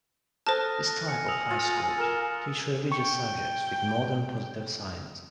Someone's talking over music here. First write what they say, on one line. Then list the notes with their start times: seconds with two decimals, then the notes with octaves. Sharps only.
This type of high schools teach religious subjects with modern positive science.
0.47 A4 C5 A5 D#6 F6 F#6 A#6
1.08 G#5 C#7
1.28 D#6 E6 F7
1.51 F4
1.98 A#4 F6 E7
2.92 G5 C#6